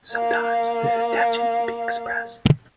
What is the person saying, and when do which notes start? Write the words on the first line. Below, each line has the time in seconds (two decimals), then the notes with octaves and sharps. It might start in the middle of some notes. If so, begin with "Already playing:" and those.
Sometimes, this intention will be express.
0.14 A#3 F5